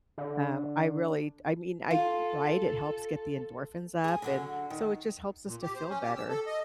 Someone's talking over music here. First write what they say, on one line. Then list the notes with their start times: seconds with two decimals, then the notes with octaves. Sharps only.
um, I really I mean, I Right? It helps get the endorphins up, and so it just helps us to feel better.
0.18 D3
1.91 F4 A4
4.04 G#4 G#5
4.22 D3 F#3 F#4
4.70 D#3
5.46 A#2
5.62 G4
5.76 C5
5.89 C#4
6.03 G4
6.16 E6
6.29 A4
6.46 D#5